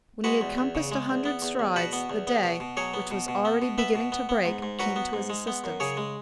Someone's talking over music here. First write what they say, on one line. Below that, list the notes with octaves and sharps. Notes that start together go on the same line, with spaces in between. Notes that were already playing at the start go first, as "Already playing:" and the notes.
When he had compassed a hundred strides, the day, which was already beginning to break, came to his assistance.
G#3 F#4 B4
E2
E2
C#3
G#3
E2
B3
E2
E2
B2 F#4 B4
B3
E2
B3
B2
B2
F#3 G#4 C#5
B3
B2
B2
B3
B2
B3 B4 E5
B2
B3
B3
G#2
G#2
F#3 F#4 B4
B3
G#2
G#3
B3
F#2
C#3 G#4 C#5
G#3